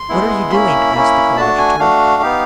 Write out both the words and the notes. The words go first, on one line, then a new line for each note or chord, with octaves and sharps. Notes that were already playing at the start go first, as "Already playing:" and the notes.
"What are you doing?" asked the coadjutor.
Already playing: C6
G#3 B3 E4
A#3 C#4 E4 B5
A#3 C#4 E4
A3 D4 F#4 A5
G#5
A3 D4 F#4 F5
B3 D#4 G4